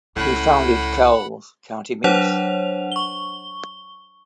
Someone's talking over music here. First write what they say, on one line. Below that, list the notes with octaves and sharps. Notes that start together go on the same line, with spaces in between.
He founded Kells, County Meath.
C#2 A2 F#5 B5
F#3 D4 C5 C#5 F#5 F7
C#6 G7